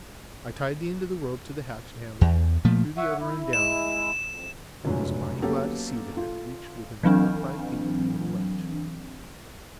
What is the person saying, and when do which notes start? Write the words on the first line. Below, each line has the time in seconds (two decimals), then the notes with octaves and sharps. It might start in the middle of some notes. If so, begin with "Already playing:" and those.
I tied the end of the rope to the hatchet handle and threw the other end down, and was mighty glad to see that it reached within four or five feet of the middle ledge.
2.21 E2
2.65 A#2 F3 A3
2.97 C#5 E5 F#5
3.20 E4
3.53 G#3 E4 E7
4.30 F2
4.85 F1 C#2 F#2 D4 F#4
5.42 F#3 A#3 B3 C#4 G4 A4
6.17 F4 A4
7.03 E3 F#3 C4 D4